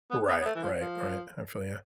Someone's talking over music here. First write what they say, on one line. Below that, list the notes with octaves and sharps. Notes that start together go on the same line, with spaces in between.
Right, right, right, I feel ya.
B3
B3
B3
A3
E3
F3
F3